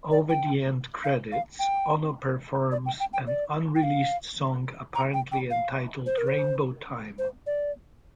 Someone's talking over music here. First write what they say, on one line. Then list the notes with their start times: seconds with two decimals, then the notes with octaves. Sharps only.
Over the end credits, Ono performs an unreleased song apparently entitled "Rainbow Time".
0.12 D5
0.30 G5
1.04 F5
1.32 F5
1.59 G5
2.72 D5
2.86 G5
3.00 G5
3.13 G5
3.27 D5
3.76 G5
3.83 F5
4.95 A#5
5.14 G5
5.32 G5
5.51 F5
6.06 C5
6.18 A#4
6.27 C5
7.19 C5
7.47 D5